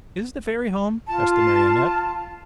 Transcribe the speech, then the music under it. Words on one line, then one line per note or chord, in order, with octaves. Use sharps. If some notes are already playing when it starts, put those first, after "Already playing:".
"Is the Fairy home?" asked the Marionette.
F4 A5